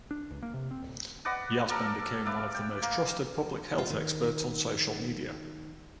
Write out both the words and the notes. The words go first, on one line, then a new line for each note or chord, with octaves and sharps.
Yasmin became one of the most trusted public health experts on social media.
D4
C#2
A#3
C3
C4
D1
B4 D5 D#5 F#5
A4 A#4 D5
B4 D5 E5 F5
D5 G5
A#3
F4
D#3